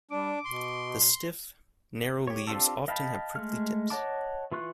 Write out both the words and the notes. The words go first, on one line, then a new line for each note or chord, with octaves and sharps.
The stiff, narrow leaves often have prickly tips.
G3 D4 D6
B2 C6
G4 C#5
C4 D4 F4 G4 A4
D#5 F5 G5 A5 B5
G#3 A3 F6
C#5 D#5 F#5 A5 D6
E3 F4 C#6 F#6